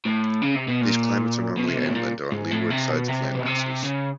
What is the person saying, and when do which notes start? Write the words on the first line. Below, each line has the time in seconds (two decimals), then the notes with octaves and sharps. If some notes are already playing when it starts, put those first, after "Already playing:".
These climates are normally inland or on leeward sides of landmasses.
0.06 A2
0.42 C#3
0.56 C3
0.68 B2
0.81 A#2
1.57 B2
1.68 C3
1.76 B2
1.86 A2
1.95 A#2
2.32 G#2
2.51 A2
2.70 C3
2.89 B2
3.08 C3
3.35 B2
3.46 C3
3.84 C#3